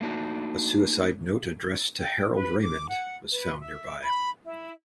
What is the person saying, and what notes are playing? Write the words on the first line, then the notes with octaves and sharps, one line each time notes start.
A suicide note addressed to Harald Ramond was found nearby.
A3 A#3 D4 D#4 F#4
G5
B4
D6
F#5
B4
E5
B5
E4